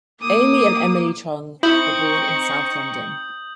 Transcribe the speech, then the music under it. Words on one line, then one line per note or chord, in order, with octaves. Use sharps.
Amy and Emily Chung were born in South London.
A#3 D6 D#6
C4 D#4 E4 C#6 D#6 G6 F#7